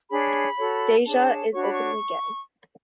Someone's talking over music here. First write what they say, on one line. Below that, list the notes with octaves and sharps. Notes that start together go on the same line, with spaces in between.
Deja is openly gay.
D4 G#4 C#5 B5
F#4 A4 C#5
D4 G#4 C#5 A5
D4 F#4 C#5 C#6
B5
C#6